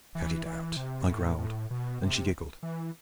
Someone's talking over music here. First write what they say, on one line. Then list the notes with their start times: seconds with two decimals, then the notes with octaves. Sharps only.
"Cut it out," I growled, and she giggled.
0.15 E3
0.46 E3
0.76 C3
1.08 A2
1.38 A2
1.71 B2
2.02 C3
2.63 E3